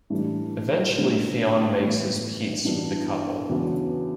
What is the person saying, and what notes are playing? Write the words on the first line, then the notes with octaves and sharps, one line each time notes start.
Eventually Fionn makes his peace with the couple.
A2 E3 G3 D4
D2 D3 G3 B3
A2 E3 G3 B3
G2 E3 B3 D4 F#4
E2 C#3 F#3 B3 D4